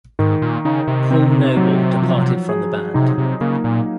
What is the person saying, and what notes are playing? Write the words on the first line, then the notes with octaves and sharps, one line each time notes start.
Paul Noble departed from the band.
G#2 D#3
A#2
C#3 D#4
C3
C4
F#3
F3
G#4
C3 D#4
C3
C#3 A#3
A#2